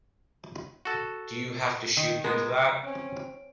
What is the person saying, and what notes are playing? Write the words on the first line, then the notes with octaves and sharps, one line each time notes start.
Do you have to shoot into that?
F#4 A4
D#3
G#3 B3 A#4
C4 C#4 C#5 D7